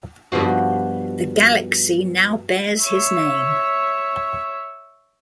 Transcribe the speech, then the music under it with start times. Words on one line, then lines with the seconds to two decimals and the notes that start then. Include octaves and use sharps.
The galaxy now bears his name.
0.32 G2 B2 F3 F#4
2.81 C#5 E5